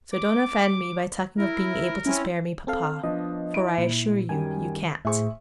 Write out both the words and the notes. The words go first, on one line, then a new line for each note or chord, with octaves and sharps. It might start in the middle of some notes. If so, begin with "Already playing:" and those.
So don't offend me by talking of being able to spare me, papa, for I assure you you can't.'
D6
E4 A#4
C4 C#4 E4
C4 A4 F5
F3 B3 D4 D#5
E4 D7
A#2
F#2 D#3 G3 G#5
A2 G#4 C5 E5 C#6